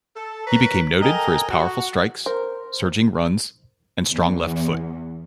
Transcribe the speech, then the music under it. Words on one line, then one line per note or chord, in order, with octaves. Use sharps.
He became noted for his powerful strikes, surging runs, and strong left foot.
A4
A#4 B4 C#5 A#5
A4 A#4 D#5 G5 G#5 A#5
F#4 F#5
A#4 C5
E2